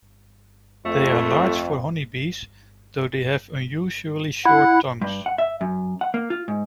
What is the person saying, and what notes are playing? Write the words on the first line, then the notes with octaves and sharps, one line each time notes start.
They are large for honey bees though they have unusually short tongues.
F2 A3
E4 F#5
G2
F#5
E5
F#2
F#5
A#3
F4
G#2